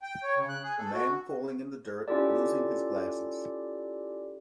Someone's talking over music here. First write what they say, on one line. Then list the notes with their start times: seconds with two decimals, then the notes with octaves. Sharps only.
A man falling in the dirt, losing his glasses.
0.02 G5
0.23 C#5
0.36 C#3
0.49 F#6
0.63 G#4
0.78 A4
0.93 F#4
2.08 C#4 E4 F4 G4 A4 D5